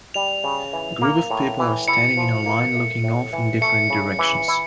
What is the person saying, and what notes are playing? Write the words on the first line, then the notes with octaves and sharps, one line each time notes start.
A group of people are standing in a line looking off in different directions.
G3 F7
C#3
E3
A#3
A2
E3
E4 C#7
F3
A#3
A3
A2
E3
A3 C#7
C#3
E3
E4